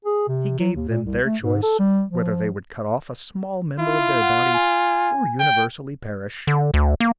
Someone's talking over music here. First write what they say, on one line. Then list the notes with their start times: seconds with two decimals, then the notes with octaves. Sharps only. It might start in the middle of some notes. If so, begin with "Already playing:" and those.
He gave them their choice, whether they would cut off a small member of their body, or universally perish.
0.05 G#4
0.28 C3
0.59 F#3
0.76 D#2
0.89 A#2
1.06 C2
1.25 A3
1.41 G#2
1.63 A4
1.79 G3
2.10 F3
3.80 E4 F4
4.21 F#5
4.54 G#5
5.39 G5
6.47 D3
6.74 D2
7.00 A#3